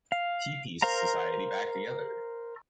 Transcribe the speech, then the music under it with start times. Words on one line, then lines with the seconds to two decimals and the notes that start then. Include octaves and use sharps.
He pieced society back together.
0.12 F5
0.82 A#4 C5 F5 A#5